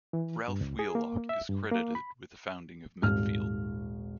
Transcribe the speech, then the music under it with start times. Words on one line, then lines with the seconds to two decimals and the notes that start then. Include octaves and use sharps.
Ralph Wheelock is credited with the founding of Medfield.
0.13 E3
0.48 G2
0.61 C#2
0.79 G#4
0.95 A#3
1.29 E5
1.49 G2
1.71 A#3
1.95 B5
3.02 D#1 G#1 F6